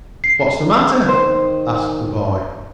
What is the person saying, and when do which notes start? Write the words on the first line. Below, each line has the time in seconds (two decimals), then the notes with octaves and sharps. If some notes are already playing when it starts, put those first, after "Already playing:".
"What's the matter?" asked the boy.
0.24 C7
1.09 D#3 C5